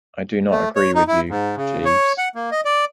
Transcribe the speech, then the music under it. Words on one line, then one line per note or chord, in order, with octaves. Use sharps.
I do not agree with you, Jeeves.
A3
C#5
D#4
E4
G#2
C#3
C#5
F#5
A#3
D#5
D5